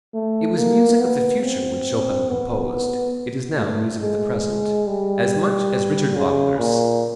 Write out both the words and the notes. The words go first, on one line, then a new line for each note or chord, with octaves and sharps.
It was music of the future when Chopin composed; it is now music of the present, as much as Richard Wagner's.
A3
A#3
B3
C4
B3
A3
G#3
G3
C#3
A#2